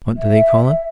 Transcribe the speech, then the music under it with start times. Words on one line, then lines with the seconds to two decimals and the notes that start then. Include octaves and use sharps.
What do they call it?
0.17 E5